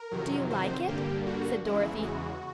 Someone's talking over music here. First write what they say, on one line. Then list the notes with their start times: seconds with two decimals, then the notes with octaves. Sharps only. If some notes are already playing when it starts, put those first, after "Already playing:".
"Do you like it?" said Dorothy.
Already playing: A#4
0.11 F2 C3 D#3 F#3
0.50 C5
0.88 G2 D3 G3 A#3 G4
1.26 F#4
1.65 E2 C#3 E3 G#3 E4
2.03 F#4